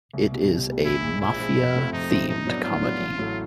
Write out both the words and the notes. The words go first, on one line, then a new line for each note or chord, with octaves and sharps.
It is a mafia-themed comedy.
C2
B2 G3
C2
B2
G3
A#1 E4
A#2 F3 G#3
A#1 E4
A#2 F3 G#3
F2
C3 F3 A3 C4
F2 D#4
C3 F3 A3 C4
A2 D#4
F#3 B3 D4
A2 F4
F#3 B3 D4
A1
A2 F#3 A3